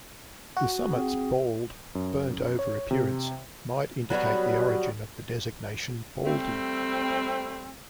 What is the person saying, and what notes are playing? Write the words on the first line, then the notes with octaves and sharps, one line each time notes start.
The summit's bald, burnt-over appearance might indicate the origin of the designation "Baldy".
F#4
C4 G#4
F#2
C#5
C3
F#3 G3 B3 F#4
G3 A3 C4